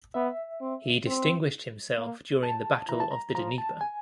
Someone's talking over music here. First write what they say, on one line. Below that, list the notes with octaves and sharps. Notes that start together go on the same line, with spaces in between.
He distinguished himself during the battle of the Dnieper.
B3 E5
C4
C4
A#3
A5
E3 A#5
A5
A#5
F3 A#5
A5
G#5